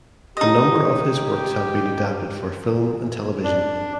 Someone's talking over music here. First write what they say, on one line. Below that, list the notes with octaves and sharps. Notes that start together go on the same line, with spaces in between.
A number of his works have been adapted for film and television.
D#4 G4 D#5
D4